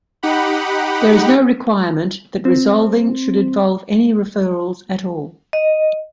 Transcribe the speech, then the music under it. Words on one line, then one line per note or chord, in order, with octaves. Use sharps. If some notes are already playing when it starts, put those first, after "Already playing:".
There is no requirement that resolving should involve any referrals at all.
D#4 G4 F#5 B5
C4
D#5